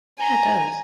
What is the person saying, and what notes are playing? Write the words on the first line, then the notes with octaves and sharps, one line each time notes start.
Yeah. It does.
G#5 A#5